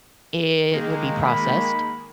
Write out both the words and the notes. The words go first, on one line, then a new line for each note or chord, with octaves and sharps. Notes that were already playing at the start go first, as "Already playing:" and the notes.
it would be processed,
D#3 G#3 A#3
B5